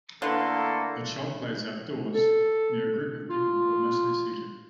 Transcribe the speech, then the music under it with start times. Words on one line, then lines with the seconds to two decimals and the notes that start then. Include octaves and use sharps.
A child plays outdoors, near a group of people who are mostly seated.
0.22 D3 A3 A#3 E4 A4 B4 F5 C6
2.13 A4
3.30 F4